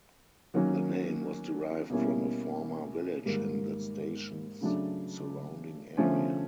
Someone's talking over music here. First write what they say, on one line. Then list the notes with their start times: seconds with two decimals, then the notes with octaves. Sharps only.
The name was derived from a former village in the station's surrounding area.
0.54 D#3 F#3 A#3 C#4
1.90 B2 G3 A#3 C#4 E4
3.25 G#2 D#3 G3 A#3
4.61 C#3 F#3 A3 D4
5.97 D3 F3 A3 C#4